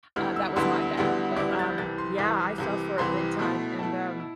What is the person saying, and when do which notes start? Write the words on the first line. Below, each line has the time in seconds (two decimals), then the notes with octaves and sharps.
uh, that was my bad, but, um, yeah, I fell for it big time, and, um,
0.16 D2 D3 G3 B3 E4 F6
0.36 E6
0.56 D2 D3 G3 B3 E4 C6
0.97 D2 D3 G3 B3 E4
1.37 D2 D3 G3 B3 E4 D6
1.51 F6
1.59 A6
1.64 G6
1.78 C2 C3 E3 A6
1.98 C6
2.18 C2 C3 E3 D6
2.58 C2 C3 E3
2.98 C2 C3 E3 C6
3.39 B2 A3 E4
3.79 B2 A3 E4 A5
4.20 E4